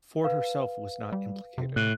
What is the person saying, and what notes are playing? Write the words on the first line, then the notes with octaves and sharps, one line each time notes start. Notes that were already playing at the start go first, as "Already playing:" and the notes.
Ford herself was not implicated.
B4 F5
G3
C3
A2 F#6